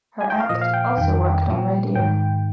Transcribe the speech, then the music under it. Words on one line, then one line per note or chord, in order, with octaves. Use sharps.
Her act also worked on radio.
G#5
G5
F5
A#2 F3 D#5
F5
G5
F2 D#3 G5
A#2 F3
G#2 D#3 G5